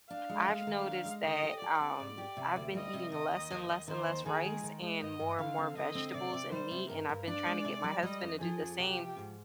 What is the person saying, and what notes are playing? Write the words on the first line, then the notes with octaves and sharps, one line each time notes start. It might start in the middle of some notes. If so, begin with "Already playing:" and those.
I've noticed that, um, I've been eating less and less and less rice and more and more vegetables and meat, and I've been trying to get my husband to do the same,
D4 F5
G#3
G#3
D#3
D4
G#3
D3 D#5
G4
G4 D5
C4
G#2
G4
C3
D2
G3 D#5
C3
D#3 D#5
D#2
D#2
D#2
D#3 C5
D#2
D#3 G#4
G#3
D#3
G#3
G2 D#5
G2
D3 F5
C4
D3 D#5
C4
C3 D5
C3
G3 C5
C3
G2 A#4
G2
D4 D5
G#3
C3
G3
G3 D#5
F2
F3 G#4
F2
C3 G4
F3
G#2